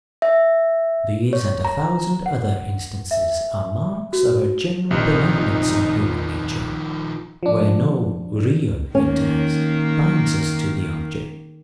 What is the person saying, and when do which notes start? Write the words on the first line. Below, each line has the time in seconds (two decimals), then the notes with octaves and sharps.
These and a thousand other instances are marks of a general benevolence in human nature, where no REAL interest binds us to the object.
0.22 E5
1.33 C#5
1.65 A#5
2.26 F#5
3.11 E5
4.13 F#4
4.91 A#1 C3 D#3 F3 D#4
7.43 F3 D4
8.95 D#3 A#3 C#4